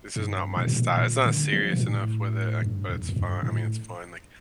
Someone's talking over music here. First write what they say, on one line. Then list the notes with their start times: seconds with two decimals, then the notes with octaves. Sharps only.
this is not my sty It's not serious enough with it, I but it's fu I mean, it's fun, like
0.16 G2
0.57 A#2
0.67 C3
0.76 A#2
0.97 A#2
1.25 D3
1.53 F3
1.73 A#2
1.80 A2
2.62 G2
2.90 E2
3.09 F2
3.16 G2
3.43 A2